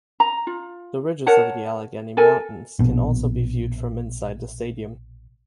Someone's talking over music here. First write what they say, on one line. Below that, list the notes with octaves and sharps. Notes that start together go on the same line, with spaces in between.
The ridges of the Allegheny Mountains can also be viewed from inside the stadium.
A#5
F4
A#4 C#5 F#5 A5
A4 A#4 G#5
A#1 B2